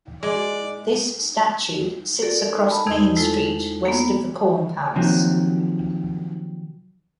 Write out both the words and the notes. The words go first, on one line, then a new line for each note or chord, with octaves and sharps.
This statue sits across Main Street, west of the Corn Palace.
G#3 D5
A4 A#4 D5
G#5 A5 B5
E2 C3 D#4 G#6
G#3 A3 E4 F4 A4
A#3 B3
C3 D#3 F3 F#3 A#3